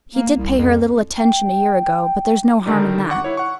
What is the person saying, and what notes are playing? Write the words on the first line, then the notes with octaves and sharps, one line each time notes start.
He did pay her a little attention a year ago; but there's no harm in that.
A#3
C2
F2
G5
D3 D#3 G3 D#4
F#5 C#6 D6
E4 C#5
F#5 C#6